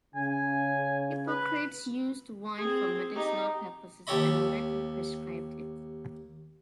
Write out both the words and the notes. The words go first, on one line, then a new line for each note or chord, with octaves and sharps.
Hippocrates used wine for medicinal purposes and readily prescribed it.
C#3 G#5
B4
C4 G#4
D#4 G4
D#2 G4 A4 C#5 D#5 B5